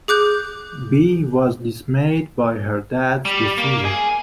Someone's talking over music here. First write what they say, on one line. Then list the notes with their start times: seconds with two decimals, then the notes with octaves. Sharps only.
Bea was dismayed by her dad’s decision.
0.08 G#4 D6 F#6 G6
3.25 G3
3.58 A#3
3.85 G#4